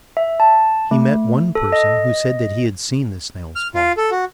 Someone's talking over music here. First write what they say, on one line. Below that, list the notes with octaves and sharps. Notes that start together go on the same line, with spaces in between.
He met one person who said that he had seen the snails fall.
E5
A5
A3
A4
D#5
F6
F4
A4
F#4